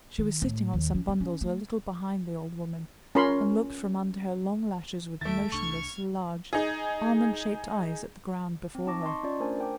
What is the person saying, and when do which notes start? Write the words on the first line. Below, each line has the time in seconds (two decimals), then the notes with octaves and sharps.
She was sitting on some bundles a little behind the old woman, and looked from under her long lashes with motionless, large, almond-shaped eyes at the ground before her.
0.18 D#3
0.42 A2
0.73 D#2
0.94 C#4
1.08 B3
1.20 C#4
1.41 A3
3.15 C#4 F4 A#4 B5 C6
5.21 D#2 D#3 A3 E5 A6 D7
5.52 C2 D4 C#6 F6 G#6
6.53 D#4 G#4
8.75 C4
8.87 D#4 A5 C#6 D6 A#6
9.03 D#5 A5 C6 C#6
9.23 C#4 F4 D5
9.40 A3 D4 A#4 C5 G#5 A5
9.58 A#4 G5 D6